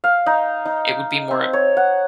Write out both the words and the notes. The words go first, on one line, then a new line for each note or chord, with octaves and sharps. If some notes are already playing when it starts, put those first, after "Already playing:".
It would be more
F5
D#4
D#4
C4
C#5
F#5